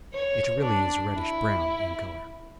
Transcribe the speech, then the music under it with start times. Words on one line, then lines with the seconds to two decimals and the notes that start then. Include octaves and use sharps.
It really is reddish-brown in color.
0.13 C#5
0.60 D4
1.16 E4